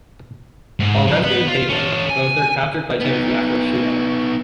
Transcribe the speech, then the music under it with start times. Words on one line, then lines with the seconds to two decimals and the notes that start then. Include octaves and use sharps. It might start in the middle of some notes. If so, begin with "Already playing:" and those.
While rescuing Caitlin both are captured by Timothy after a shoot out.
0.80 G#2 G#3
1.07 F3
1.24 B4 F#5
1.47 F4
1.69 C#4 A4
2.09 G#5
3.00 B3 D#4